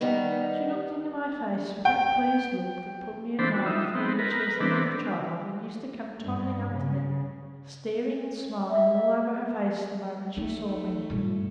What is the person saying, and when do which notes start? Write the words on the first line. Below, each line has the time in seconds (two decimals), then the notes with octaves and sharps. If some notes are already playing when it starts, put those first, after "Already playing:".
She looked into my face with that pleased look that put me in mind of her when she was a little child and used to come toddling up to me, staring and smiling all over her face the moment she saw me.
0.01 D#3 G3 B3 D#4
1.85 G5
3.39 E3 C4 D4 A4 C5 B5
3.54 A3 F#4
3.66 F3 D#4 E5
3.95 B3 C4
4.19 A#4 B4
4.60 E3 B3 C4 D4
6.22 G2
6.74 C#3
8.70 E5
10.37 A3 D#4
11.10 G2 A#2